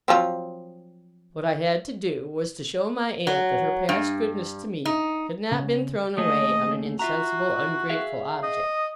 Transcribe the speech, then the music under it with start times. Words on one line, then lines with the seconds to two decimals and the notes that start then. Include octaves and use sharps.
What I had to do, was, to show my aunt that her past goodness to me had not been thrown away on an insensible, ungrateful object.
0.08 F3 F#3 C4
3.27 F#3
3.89 G2
4.86 D#4
5.52 C#3
6.17 D#2 A3 G#4 D#5
6.99 F4 F#4 E5 A#5
7.89 G#4 E5 F5
8.43 D#5